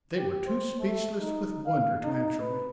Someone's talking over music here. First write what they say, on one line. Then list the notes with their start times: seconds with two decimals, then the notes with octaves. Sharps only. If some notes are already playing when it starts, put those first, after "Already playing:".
They were too speechless with wonder to answer me.
0.17 G4
0.46 C5
0.79 A3
1.20 D#4
1.65 F5
2.03 D#4
2.40 B4